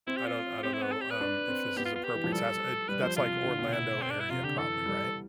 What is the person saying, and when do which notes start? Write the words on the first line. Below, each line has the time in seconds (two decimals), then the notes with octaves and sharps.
I don't I don't know, um, if this is appropriate. Has eh, that's like Orlando area probably, right?
0.07 C4 E4
0.17 G4
0.26 F4
0.63 C4 G4
0.73 E4
0.82 B3
0.92 A4
1.01 G4
1.10 B4
1.21 D4
1.48 C4
1.77 B3 G4
1.85 F4
1.95 F4
2.04 G4
2.15 E3
2.24 F3
2.32 G3 A4
2.88 G3 B4
3.03 F3 C5
3.17 C3 F4
3.45 D3
3.59 B2
3.73 E4
4.02 C4
4.10 D4
4.20 E4
4.30 C3 F4
4.43 D3 G4
4.58 E3 A4
4.86 G3